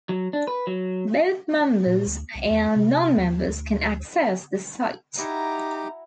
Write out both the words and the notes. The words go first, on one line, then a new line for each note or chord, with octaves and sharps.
Both members and non-members can access the site.
F#3
D4
B4
F#3
A#2
D2
C2
E2
C3
D#2
D2
D#4 E4 F#4 G4 A#5 D6